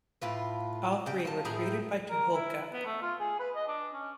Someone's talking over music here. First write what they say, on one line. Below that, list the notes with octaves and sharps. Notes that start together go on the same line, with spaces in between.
All three were created by Tucholka.
A2 F4 B4
C#3 G5
F4 A5
A2 G#4 G5 A#5
A#4
E4
B3
A3
F4
G#4
B4
D#5
D4
C#4